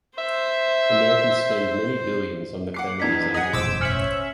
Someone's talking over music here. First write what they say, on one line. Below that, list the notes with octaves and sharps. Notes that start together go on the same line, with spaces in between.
Americans spend many billions on the therapies annually.
C5 E5
F#5 D6 C7
E2 D4 D#4 G#6 B6
G#4 D#5 F#5
E1 A1 F#2 C5 D6 E6
C#4 E5 F6 C#7 F#7